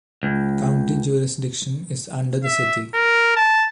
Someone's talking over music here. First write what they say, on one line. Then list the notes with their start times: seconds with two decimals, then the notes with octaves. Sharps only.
County jurisdiction is under the city.
0.23 C#2
2.44 E5
2.94 A#4
3.36 A5